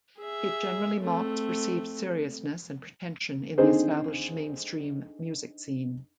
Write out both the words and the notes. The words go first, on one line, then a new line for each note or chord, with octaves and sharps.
It generally mocks perceived seriousness and pretension in the established mainstream music scene.
G#4 E5
A3 C4
D3 D#3 C4 D#4 G#4 C5